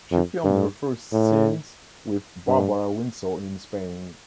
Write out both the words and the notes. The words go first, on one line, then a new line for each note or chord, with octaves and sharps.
She filmed her first scenes with Barbara Windsor in Spain.
F2
G2
A2
G2